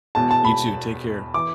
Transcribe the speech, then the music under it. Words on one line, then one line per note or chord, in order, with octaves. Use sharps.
You, too, take care.
E1 E2 B2 A5
A5
B5
E3 D6